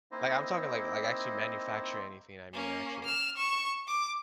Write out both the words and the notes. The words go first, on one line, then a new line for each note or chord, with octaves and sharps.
like, I'm talking, like like, actually manufacture anything I mean actually,
A#3 C4 D#4 E4 C5 D#5
A#3 C#4
F6 E7
C#6 E7
D6